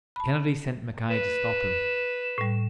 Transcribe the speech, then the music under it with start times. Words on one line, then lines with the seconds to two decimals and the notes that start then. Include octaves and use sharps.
Kennedy sent Mackay to stop him.
0.16 A5 B5
1.10 B4 E7
2.38 A2 G3